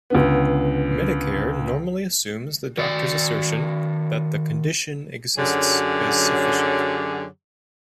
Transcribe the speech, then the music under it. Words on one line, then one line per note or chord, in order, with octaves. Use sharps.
Medicare normally assumes the doctor's assertion that the condition exists as sufficient.
C#2 D3 B3
D#3 F#4 D5
F#2 D3 F#3 G4 G#4 C#5